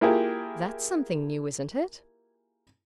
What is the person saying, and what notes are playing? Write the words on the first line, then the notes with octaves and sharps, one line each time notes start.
'That's something new, isn't it?'
A#3 E4 F4 G4 G#4 A#4